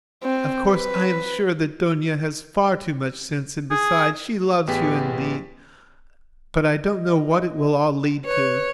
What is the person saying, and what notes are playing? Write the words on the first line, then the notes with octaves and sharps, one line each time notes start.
Of course, I am sure that Dounia has far too much sense, and besides she loves you and me... but I don't know what it will all lead to.
C4
B4
G#4
A1 B3 G4 G#4 G5 B6
D#5
B4 C#5